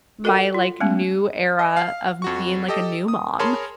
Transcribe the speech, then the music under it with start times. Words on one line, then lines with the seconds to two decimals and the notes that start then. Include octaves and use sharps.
my, like, new era of being, like, a new mom,
0.24 F#4 A4 A#4 D#5 F#5 G5
0.54 F4
0.80 G#3 A3 B3 C#4
1.59 D#5
1.76 F5
2.22 F2 F#4 C#6
2.68 G4 A4 D#5
3.08 D#6
3.39 G#4 A#4 C#5 A5 B5 C6